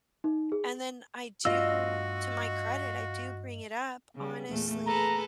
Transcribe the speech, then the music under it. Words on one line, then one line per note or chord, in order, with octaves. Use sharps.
and then I do to my credit, I do bring it up honestly,
D#4
G#4
G2 A3 D4 F4 F#4 D#5 E6
C#3 G3
E2 A#2 A3
G#4 A4 B4 A#5